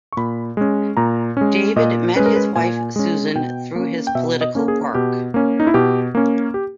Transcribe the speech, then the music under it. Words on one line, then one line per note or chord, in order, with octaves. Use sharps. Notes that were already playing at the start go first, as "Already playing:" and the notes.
David met his wife, Susan, through his political work.
C#6
A#2 B5
G#3 C#4
A#2 A#5
G#3 C#4
A#2 D#5
G#3 C#4 B4
A#4
B4
A#2 G#5
G#3 C#4
B2 G5
A#3 C#4
G5
B2 E5
D#5
A#3 C#4
G#4
B2 G4
A#3 C#4
D#4
E4
B2 G4
A#3 C#4
G4